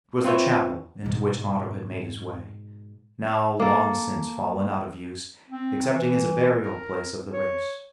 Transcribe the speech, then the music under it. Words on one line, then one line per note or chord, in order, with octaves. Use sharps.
It was the chapel into which Otto had made his way, now long since fallen out of use excepting as a burial place of the race.
C4 F4 B4 C#5 E5 G5
G#2 B2
A#3 A4
C4
E3
A#4
C#5